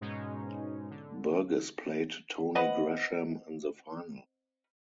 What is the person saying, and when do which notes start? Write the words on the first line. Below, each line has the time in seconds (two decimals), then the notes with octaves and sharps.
Burgess played Tony Gresham in the final.
0.01 G#2 B2 G#3 C#4 D#4
0.90 D3
2.55 C4 B4 D#5 F#5